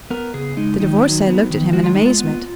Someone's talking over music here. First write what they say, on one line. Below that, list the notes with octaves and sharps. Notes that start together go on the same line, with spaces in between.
The Divorcee looked at him in amazement.
B3 A#4
C#3 G#4
G#3 D#4
D#3 D#4
F#3
B3
D#3
G#3 F#4
F4
G#3 D#4
F4
B3